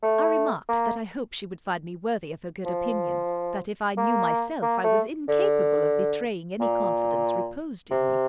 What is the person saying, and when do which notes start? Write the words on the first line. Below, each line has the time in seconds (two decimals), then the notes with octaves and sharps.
I remarked that I hoped she would find me worthy of her good opinion; that if I knew myself, I was incapable of betraying any confidence reposed in me.
0.03 A3
0.68 A#3
2.65 F3
3.97 A#3
4.62 A#3
4.84 A3
5.28 D3
6.60 A#2
7.91 C3